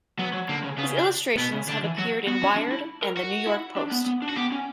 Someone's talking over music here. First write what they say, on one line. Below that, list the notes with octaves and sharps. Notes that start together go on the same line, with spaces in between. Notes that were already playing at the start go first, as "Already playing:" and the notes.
His illustrations have appeared in "Wired" and the "New York Post".
F#3 B3
F#3
D3 A#3
C#3
C#3 B3
D4
B2 B3
C#3
D3 D4
E3
F#3 F#4
B3 F#4
C#4
D4
E4
A#4
F#4
E4
D4
B3
B3
D4
F#4
B3 G4
C#4